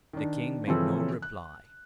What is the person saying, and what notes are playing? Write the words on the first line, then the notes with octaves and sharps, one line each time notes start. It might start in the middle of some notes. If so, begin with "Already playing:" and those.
The king made no reply.
D#3 D4
C#3 E3 F3 C4 C#4 A4
F#6